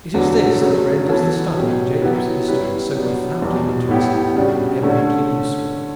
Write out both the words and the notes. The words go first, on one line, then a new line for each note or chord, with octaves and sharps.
It is this that renders the study of Jacob's history so profoundly interesting and eminently useful.
E2 D3 F#3
C#3 F#3 A3
E3 B3 F#4 A4 C#5
B2 F#3 C#4 G4 C#5
F#3 B3 E4 G4 B4
G3 C#4 E4 G4 B4
F#3 B3 D4
E2 B2 G3
A2 G3 B3 E4 G4
C#3 G3 D4 F#4
D3 A3 C#4